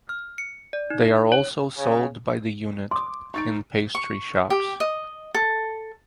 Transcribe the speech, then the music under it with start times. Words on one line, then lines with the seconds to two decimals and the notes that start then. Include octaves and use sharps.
They are also sold by the unit in pastry shops.
0.09 F6
0.38 C#7
0.73 D5
0.90 D#4
1.32 C#5
1.77 C#3
2.91 C6 D6 D#6
3.34 D#4 C#6 A6 D7
3.95 C#6
4.50 G4
4.80 D#5
5.34 A4